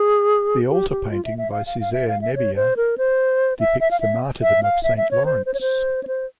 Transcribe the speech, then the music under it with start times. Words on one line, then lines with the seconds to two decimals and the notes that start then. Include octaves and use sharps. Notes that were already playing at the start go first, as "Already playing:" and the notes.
The altar painting by Cesare Nebbia depicts the martyrdom of Saint Lawrence.
Already playing: G#4
0.69 G4
0.90 G4
1.11 F4
1.25 E5
1.38 E5
1.52 F5
1.67 F5
1.81 F5
1.93 E5
2.08 F5
2.21 E5
2.35 C#5
2.56 C5
2.77 A#4
2.98 C5
3.60 E5
3.80 E5
3.91 F5
4.01 E5
4.42 E5
4.63 F5
4.83 E5
4.97 E5
5.11 C#5
5.26 C5
5.46 C5
5.54 C#5
5.61 C5
6.03 C#5
6.07 C5